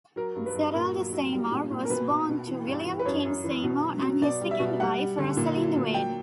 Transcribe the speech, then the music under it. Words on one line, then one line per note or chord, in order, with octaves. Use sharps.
Gerald Seymour was born to William Kean Seymour and his second wife, Rosalind Wade.
F#3 A#4
G2
B4
G2
A#2 A#4
F#3
F#3
G3
A#2
A#2
A#4
B2 B4
B2
B2
E3
G2
E3
B4
F#2 C#5
F#2
E3
B2
F#3
F#3
B2 D5
G3
E5
B2
G3 F#5
G3
D3
A#2
F#3
A#2
F#3 G5